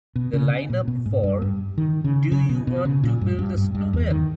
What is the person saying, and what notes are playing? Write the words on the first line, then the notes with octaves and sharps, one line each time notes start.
The lineup for Do You Want to Build a Snowman?
B2
C#3
A#2
B2
G#2
G2
G2
D#3
C#3
C#3
B2
B2
C#3
A#2
G2
G2
G2
G2
E2
D#3